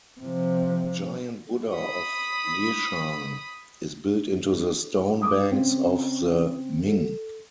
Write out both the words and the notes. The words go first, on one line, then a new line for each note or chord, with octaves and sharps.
The Giant Buddha of Leshan is built into the stone banks of the Min.
C3 F3
B5 D#6
D6 D#6
C#3 C4
A4